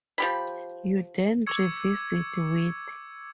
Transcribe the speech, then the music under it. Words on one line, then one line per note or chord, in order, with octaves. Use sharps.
You then revisit Wit.
F3 G4 B5
C#6 D6 E6 G#6 C#7